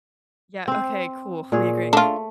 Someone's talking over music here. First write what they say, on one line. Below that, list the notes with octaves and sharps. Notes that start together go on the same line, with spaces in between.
Yeah, okay, cool, we agree,
C4 C5
A#2 G#4 C#5
A3 D4 F4